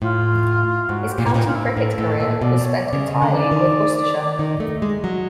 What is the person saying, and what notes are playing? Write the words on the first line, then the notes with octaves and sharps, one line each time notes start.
His county cricket career was spent entirely with Worcestershire.
A2 F4
G#2 F#4
G4
A#2
A2
A#2 D#4
A2 F4
E4
A2 A4
A2 A4
A#2 A4
B2 D5
C#5
D5
C#3
D#5
D3
D5
D#3
D#3 D#5
A3
G#3
F#3